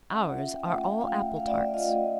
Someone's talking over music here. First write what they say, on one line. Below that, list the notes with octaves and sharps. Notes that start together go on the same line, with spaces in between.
Ours are all apple-tarts.
C#4 E5 F#5
F4
E5 F#5
F4
G5
A3 E5 F#5
A3 F5 G5
A3 F5 G5
A3
A3 F5
D5 E5
A3
F4 D#5 F5
F4